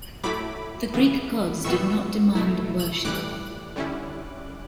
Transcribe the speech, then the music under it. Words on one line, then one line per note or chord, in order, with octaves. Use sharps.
The Greek gods did not demand worship.
A2 F#3 A3 E4 B5 D6
C#3 E3 B3
A2 E3 G3 B3 C#6 E6
B2 A3 E4
A2 E3 G3 D6 F#6
D3 G3 C#4 E4